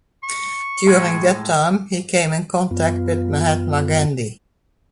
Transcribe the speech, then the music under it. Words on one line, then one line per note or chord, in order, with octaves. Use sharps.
During that time he came in contact with Mahatma Gandhi.
C#6
A2 G#3
F#2 B3 F4